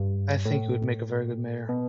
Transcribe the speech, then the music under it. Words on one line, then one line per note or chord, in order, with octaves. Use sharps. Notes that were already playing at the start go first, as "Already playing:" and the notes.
I think he would make a very good mayor..
Already playing: G2
A2
B2